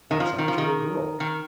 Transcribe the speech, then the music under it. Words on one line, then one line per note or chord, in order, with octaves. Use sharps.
That's up to the girl.
D#3
F3
D#3
F3
D#3
D#3